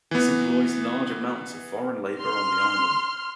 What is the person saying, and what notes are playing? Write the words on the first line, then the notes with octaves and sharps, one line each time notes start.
This employs large amounts of foreign labor on the island.
E3 B3
C6 F6